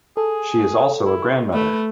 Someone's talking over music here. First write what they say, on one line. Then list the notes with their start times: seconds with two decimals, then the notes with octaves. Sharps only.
She is also a grandmother.
0.17 G#4 A4
1.04 E4
1.53 A3 B4